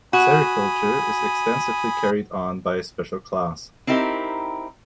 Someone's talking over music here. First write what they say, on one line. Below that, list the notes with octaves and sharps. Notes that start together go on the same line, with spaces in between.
Sericulture is extensively carried on by a special class.
F#4 G#5 B5 D#6
C4 D#4 E4 G4 A#4